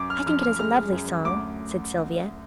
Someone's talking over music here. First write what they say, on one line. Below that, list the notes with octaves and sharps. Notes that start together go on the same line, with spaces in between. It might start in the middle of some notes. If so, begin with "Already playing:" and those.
"I think it is a lovely song," said Sylvia.
Already playing: F#2 D6
F6
F3 F6
F6
G#3 F6
F#2
D2 D6